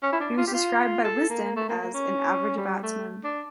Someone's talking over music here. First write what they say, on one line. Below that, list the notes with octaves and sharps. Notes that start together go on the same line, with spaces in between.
He was described by "Wisden" as "an average batsman".
C#4
E4
D4
F4
G4
F4
A4
A#3
A3
A#3
A#3
C#4
G3
A3
D4